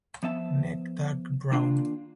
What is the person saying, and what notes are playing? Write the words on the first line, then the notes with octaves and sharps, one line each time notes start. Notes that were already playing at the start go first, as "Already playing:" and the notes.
Neck dark brown.
F3 B3 E5 A5
D#3 A#3 D4 F4